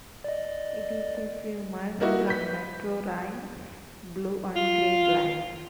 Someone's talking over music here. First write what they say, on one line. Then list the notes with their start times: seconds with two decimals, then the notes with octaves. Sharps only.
It is a few miles from Metrorail's Blue and Green lines.
0.24 D5 D#5
2.00 G3 A#3 D#4 E4 F#4
2.27 B4 G6 B6
4.55 F4